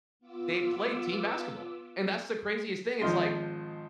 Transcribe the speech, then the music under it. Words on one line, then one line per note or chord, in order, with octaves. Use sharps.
they played team basketball, and that's the craziest thing, it's like,
B3 F4 D6 E6
G#1 F3 F4 D#5 F5 C6